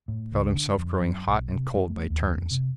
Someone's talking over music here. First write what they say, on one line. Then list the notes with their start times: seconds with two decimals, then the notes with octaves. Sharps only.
He felt himself growing hot and cold by turns.
0.08 A2
0.32 C#2
0.54 D3
0.77 F2
1.02 F#2
1.27 B1
1.54 C3
1.74 F#2
1.89 A3
2.10 D#2
2.36 F2
2.51 C3